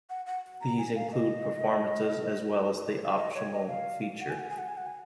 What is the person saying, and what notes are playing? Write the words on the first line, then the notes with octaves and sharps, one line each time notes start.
These include performance, as well as the optional features.
F#5
F#5
A#5
G#5
F5
D#5
D#5
C#5
D#5
F5
F#5
G#5
F#5
G#5
F#5
G#5
F#5
G#5